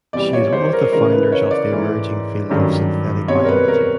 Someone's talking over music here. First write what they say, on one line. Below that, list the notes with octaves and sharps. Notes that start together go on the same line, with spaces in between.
She is one of the founders of the emerging field of Synthetic Biology.
E2 C3 E3 G3 D5
C#5
C5
A#4
C#3 E3 G#3 A#4
B4
C#5
D5
G#2 E3 A3
G2 D#3 F#3 A3 C#4
B2 G3 C4 C#5
A#4
B4
A#4